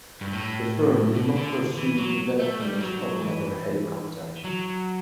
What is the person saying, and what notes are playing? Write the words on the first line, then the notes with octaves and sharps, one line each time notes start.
The firm did not pursue development of another helicopter.
G2
A2
B2
D3
E3
F#3
A3
G3
F#3
E3
F#3